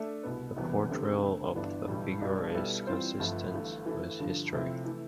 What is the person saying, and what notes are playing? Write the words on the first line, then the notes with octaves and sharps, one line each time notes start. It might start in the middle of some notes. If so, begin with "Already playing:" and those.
The portrayal of the figures is consistent with history.
Already playing: A3 D4 A4 E5
C2 B2 B3
E1 E2 C3 G3 B3
D3 A3 C4 G4
D2 D3 A3
G1 G2 E3 B3 D4
B1 A2 E3 G3
B1 B2 G3 B3 D4
B2 G3 B3 E4 A4
E3 G3 C4 F4 C5
G1 G2 F3 A3
G1 G2 E3 A3
E3 A3 E4 A4
G2 D3 F3
C3 F3 A3 C4 E4
E3 A3